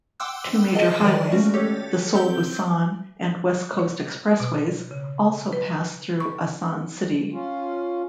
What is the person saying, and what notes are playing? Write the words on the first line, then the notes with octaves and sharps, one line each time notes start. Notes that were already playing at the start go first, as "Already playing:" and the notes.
Two major highways, the Seoul-Busan and West Coast expressways, also pass through Asan city.
F#5 G5 C6 D6 E6 F#6
F4 G#4 A#4 D#5 A5
D#3 F3 A#4 D5
G#3 A3 C#4 F#4
G4 A4 C#5
C4 G6 G7
C#5
B2
C#3
B4
C#6
C#4 F4